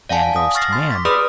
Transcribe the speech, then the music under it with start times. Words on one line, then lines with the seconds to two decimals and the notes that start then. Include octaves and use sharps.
Man goes to Man!
0.09 D5 F5 F#5 G#5 A5
0.36 D#6
0.55 C#6 F6 A6 A#6 C7
0.72 C6 A6
0.91 D6 B6
1.05 G#4 B4 D5 B5 D#6 F6